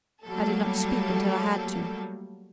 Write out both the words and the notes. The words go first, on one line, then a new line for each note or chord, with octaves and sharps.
I did not speak until I had to.
F#3 G3 A3 A#3 A4